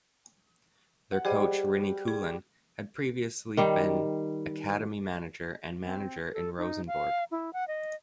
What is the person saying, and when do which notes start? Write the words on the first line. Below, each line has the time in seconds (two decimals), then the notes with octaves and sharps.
Their coach Rini Coolen had previously been academy manager and manager in Rosenborg.
1.11 F#5
1.25 G3 G#4 C5 D#5
2.08 G#4
3.57 D#3 G3
5.84 C4
6.33 A4
6.58 D#4
6.87 F5
7.31 E4
7.53 F#5
7.68 D#5